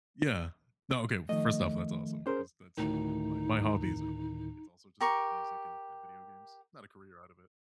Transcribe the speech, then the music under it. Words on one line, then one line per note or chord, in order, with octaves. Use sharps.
Yeah, no, okay, first off, that's awesome because that's my my hobbies are like it's also just music and and video games, not a career out of it,
D#3 F3 A3 D#5
C#4 G#4 A#4 C5
D2 A2 D#3 D#4
G4 A#4 C#6